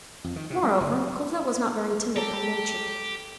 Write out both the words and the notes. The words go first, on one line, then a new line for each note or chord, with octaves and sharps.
Moreover, Cosette was not very timid by nature.
F2
D#3
C3
G3
F#1
G4 A4 A#5